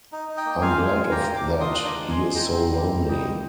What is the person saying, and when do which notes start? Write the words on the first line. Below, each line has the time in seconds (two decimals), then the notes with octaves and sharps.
I'm glad of that, he is so lonely.
0.12 D#4
0.29 D#4
0.37 D#5 G5
0.46 A#3
0.61 F4 F5 G#5
0.78 G#3
0.94 F4
1.11 A#3 G5 A#5
1.28 A#3
1.36 A#5 D6
1.44 D4
1.60 F4 C6 D#6
1.76 D4
1.85 A#5 D6
1.94 G#3
2.09 G#3 G#5 C6
2.26 G#3
2.35 G5 A#5
2.43 C4
2.59 G3
2.76 A#3
2.92 G3
3.09 G3 D#5 G5
3.25 F4